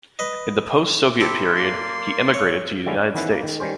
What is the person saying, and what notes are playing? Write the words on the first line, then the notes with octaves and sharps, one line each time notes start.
In the post-Soviet period he emigrated to the United States.
B4 D#5
E4 G4 A4 C5 E5
A#3 D5 C6
C#5
D3 G3 G#3 A#3 C#4 E4
C#5
D#3 E3 B3 C#4 E4 B4
A#3
D#3
D#3 G3 C#4 C5